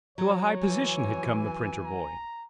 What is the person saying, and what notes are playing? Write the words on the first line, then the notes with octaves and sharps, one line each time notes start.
To a high position had come the printer-boy.
F#3 C#5
E3 G#5
A#5